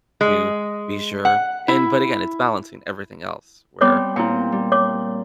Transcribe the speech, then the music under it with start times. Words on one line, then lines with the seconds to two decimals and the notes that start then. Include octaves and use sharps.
to be sure and but, again, it's balancing everything else, where
0.21 G#3
1.25 F#5
1.68 E4
3.81 G3 B3 C4 C#5 D6
4.16 A#2 C4 E4 G5
4.52 G3
4.72 C#5 D6